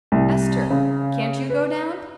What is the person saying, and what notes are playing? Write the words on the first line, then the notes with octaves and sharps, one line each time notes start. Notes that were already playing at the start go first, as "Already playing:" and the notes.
Ester, can't you go down?
C2
C#3
B4